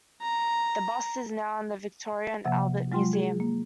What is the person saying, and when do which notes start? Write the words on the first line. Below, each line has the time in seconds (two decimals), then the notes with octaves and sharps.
The bust is now in the Victoria and Albert Museum.
0.21 A#5
2.44 C3 F3 A#3 E5 F#5
2.92 F#3 G#3 F4 G5 C6
3.13 G#4
3.40 A#3